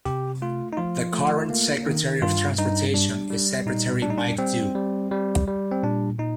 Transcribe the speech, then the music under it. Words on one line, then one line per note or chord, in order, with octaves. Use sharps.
The current Secretary of Transportation is Secretary Mike Dew.
C3 G4
A3 F4
D#4
F3 F4
A3
A#3
D#3
G2 F4
G2 D#4
G3 D4
G3
A#2 D#4
G3 D4
D#4
D4
G3 C4
G3
G3
G3
C4
A#2 D4
A#2 D#4